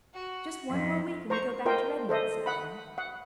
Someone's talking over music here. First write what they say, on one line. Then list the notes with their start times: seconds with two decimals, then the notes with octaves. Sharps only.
"Just one more week and we go back to Redmond," said Anne.
0.13 F#4
0.69 F2
1.30 C5 A#5 C#6
1.65 F4 A#4 C5 D#5 G5
2.09 A4 C5 D#5 E5
2.46 F#5 B5
2.98 F#5